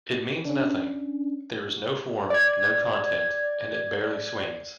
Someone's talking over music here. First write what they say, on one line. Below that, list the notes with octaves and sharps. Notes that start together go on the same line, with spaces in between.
It means nothing; there is no form, no content, and it barely swings.
C#4 D4
D5 G#6